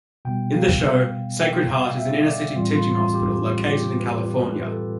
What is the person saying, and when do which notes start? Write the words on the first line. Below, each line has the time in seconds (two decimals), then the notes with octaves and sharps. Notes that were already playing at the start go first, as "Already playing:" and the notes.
In the show, Sacred Heart is an inner-city teaching hospital located in California.
0.25 B2 G3 B3 G5
0.54 F5
1.41 G5
1.69 F5
1.98 E5
2.27 D5
2.56 A2 E3 G3 C4 F4
2.75 F4
2.94 F4
3.14 G4
3.71 G4
4.00 B4
4.48 B4
4.67 A4